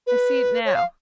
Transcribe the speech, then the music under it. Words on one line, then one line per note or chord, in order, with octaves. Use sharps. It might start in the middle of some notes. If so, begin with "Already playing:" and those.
I see it now.
B4
C#5
F5